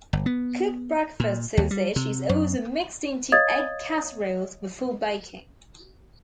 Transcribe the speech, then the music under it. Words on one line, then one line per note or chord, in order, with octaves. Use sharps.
Cooked breakfast sausage is also mixed into egg casseroles before baking.
G1
B3
A#2
D#2
G3
C3
F#2
C#5 D#5 F5 D#6 G#6 A6